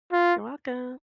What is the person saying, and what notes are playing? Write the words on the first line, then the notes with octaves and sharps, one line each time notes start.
You're welcome.
F4